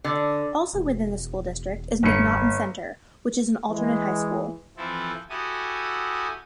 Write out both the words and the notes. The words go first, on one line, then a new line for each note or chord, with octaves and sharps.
Also within the school district is McNaughton Centre which is an Alternate High school.
D3
E1
G1 C#7
E3 G#3
E3 F3 C4 E4 A4
E4 F#4 G4 A4 G#5 D#6